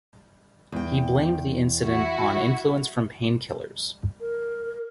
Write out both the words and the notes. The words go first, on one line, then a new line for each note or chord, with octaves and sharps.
He blamed the incident on influence from painkillers.
E2 G5
E4 F#4
A#4